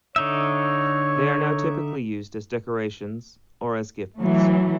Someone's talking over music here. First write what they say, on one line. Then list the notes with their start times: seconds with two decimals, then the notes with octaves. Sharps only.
They are now typically used as decorations, or as gifts.
0.16 D3 D#4 C#5 E5
4.17 E3 F#3 A3